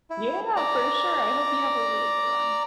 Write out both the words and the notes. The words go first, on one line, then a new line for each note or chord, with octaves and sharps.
Yeah, for sure. I hope you have a really good one.
E4
D5 A#5